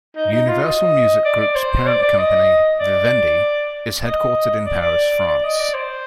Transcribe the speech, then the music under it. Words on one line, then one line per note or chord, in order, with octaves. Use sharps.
Universal Music Group's parent company, Vivendi, is headquartered in Paris, France.
D#4
D#4
F4
D#5
D5
D5
C5
D5
D5
D#5
D5
D#5
D5
D5
D5
D#5
D5
C5